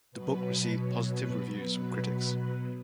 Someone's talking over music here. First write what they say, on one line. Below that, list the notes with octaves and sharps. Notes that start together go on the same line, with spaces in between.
The book received positive reviews from critics.
B2 F#3 B4
C#5
B4